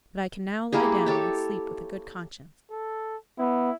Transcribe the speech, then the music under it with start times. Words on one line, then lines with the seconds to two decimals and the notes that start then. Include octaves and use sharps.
"But I can now lie down and sleep with a good conscience."
0.72 A#3 E4 G4 G#4
1.06 G4 A4 C#5
2.71 A4
3.39 B3 E4